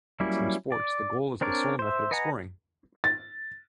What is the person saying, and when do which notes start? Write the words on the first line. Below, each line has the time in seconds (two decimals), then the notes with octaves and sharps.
In some sports, the goal is the sole method of scoring.
0.20 F#3 G3 A#3 C#4 E4
0.72 D5
1.41 C4 D4 A#4 C#5 D5
1.79 C5 E5
2.11 B4 D#5 F#5 G#5 A#5
3.04 A6